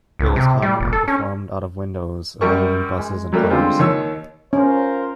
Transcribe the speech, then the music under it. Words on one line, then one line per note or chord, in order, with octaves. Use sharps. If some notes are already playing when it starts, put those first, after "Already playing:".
It is commonly performed out of windows of moving buses and cars.
C#2
C3
G3
E1
A4
C#4
F#2 G3 A#4 C#6
G#3
F#3 G3 A3 A#3
D3 G3 G#3 C4 F4
D#2 D#3 C#5 E6
C#4 F4 A#4 C5